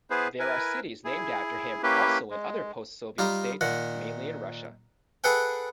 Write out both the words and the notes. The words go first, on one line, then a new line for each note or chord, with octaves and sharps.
There are cities named after him also in other Post-Soviet states, mainly in Russia.
B3 E4 G#4 B4 C5
E4 A#4 B4 G#5
E4 G#4
A#3 C#4 E4 G4 B4
G#3
G3 D#4 F4
A#2 D#3 F#5
G#4 A4 B4 F#5 G5